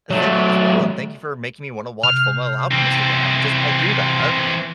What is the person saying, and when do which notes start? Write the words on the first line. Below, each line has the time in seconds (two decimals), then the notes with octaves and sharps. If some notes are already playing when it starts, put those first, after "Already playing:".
Thank you as well and thank you for making me wanna watch Fullmetal Alchemist again, I just might do that.
0.11 F#3 A3
2.03 C3 F6
2.71 E3 C4